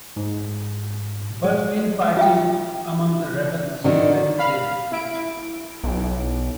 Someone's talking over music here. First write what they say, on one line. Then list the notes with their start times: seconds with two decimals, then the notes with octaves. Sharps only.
But in-fighting among the rebels soon led to their defeat.
0.16 G#2
1.44 G#3
2.17 F4 E5 G5
3.84 D3 D#3 F#4
4.38 F5 B5
4.92 E4 D7
5.84 B1